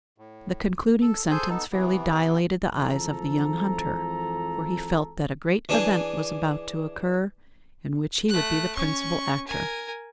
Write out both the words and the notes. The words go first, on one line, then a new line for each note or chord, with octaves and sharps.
The concluding sentence fairly dilated the eyes of the young hunter, for he felt that a great event was about to occur, in which he would be the principal actor.
A2
A4
G#4 A4 C5 G#5 G6
B3 D#4 A4
C3 E3 B3
F2 E3 F3 G#3 A4 A#5
E3 D4 G#4
A3 F#6
C#4 C#6
A#4 G#5